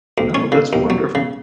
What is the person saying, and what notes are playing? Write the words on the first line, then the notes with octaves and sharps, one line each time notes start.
No, that's wonderf
D2
C#4
C#3
D#2
F#3
C#3